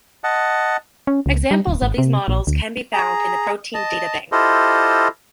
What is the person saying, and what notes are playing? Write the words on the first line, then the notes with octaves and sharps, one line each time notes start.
Examples of these models can be found in the Protein Data Bank.
D#5 F#5 A5
C#4
C#2
G3
D1
G#1
C3
A#1
D2
G#4 A#5
D#5 A5
E4 F4 G4 A4 C5 D#5